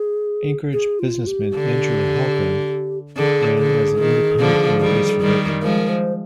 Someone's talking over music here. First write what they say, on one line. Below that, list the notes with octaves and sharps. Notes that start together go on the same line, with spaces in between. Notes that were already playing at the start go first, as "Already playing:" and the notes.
Anchorage businessman Andrew Halcro ran as an Independent in the race for governor.
Already playing: G#4
G#4
F4
G4
D3
D3 G#4
D3
D#3
D3 F3
D#3 G3
D#3 G3
F3 G#3 A#4
C5